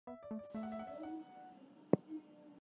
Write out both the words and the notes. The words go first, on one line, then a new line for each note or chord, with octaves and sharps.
Pant mostly wrote in Sanskritized Hindi.
B3 E5
D5
A3
D5
A3 E5
F#5
E5
F#5
E5
F#5